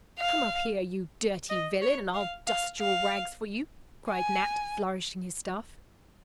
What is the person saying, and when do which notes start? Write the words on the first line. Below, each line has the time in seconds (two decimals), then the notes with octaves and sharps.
"Come up here, you dirty villain; and I'll dust your rags for you," cried Nat, flourishing his staff.
0.20 F5
1.50 D#5
1.82 C#5
2.15 F5
2.47 F5
2.80 F5
4.10 G#5